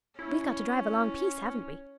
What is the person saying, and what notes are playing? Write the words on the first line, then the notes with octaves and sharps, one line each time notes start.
We've got to drive a long piece, haven't we?
C#4 E4